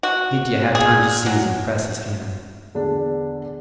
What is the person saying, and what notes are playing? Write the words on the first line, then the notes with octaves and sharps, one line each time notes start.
Mitya had time to seize and press his hand.
F#4
G#4
F#3
E2 D3 D4